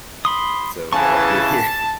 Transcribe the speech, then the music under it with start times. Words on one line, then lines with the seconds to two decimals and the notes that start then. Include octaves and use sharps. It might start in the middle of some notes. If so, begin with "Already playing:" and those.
So, what do I do here?
0.25 B5 C6 D#6
0.93 C#3 E3 F#5 G#5 A5 C#6